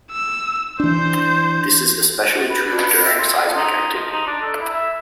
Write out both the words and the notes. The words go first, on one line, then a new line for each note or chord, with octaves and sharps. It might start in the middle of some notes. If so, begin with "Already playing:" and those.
This is especially true during seismic activity.
E6
E3 D4 C5 G6
B4
B4
E5
C4
D#4
F3
D#4
D4
A4
E4
E5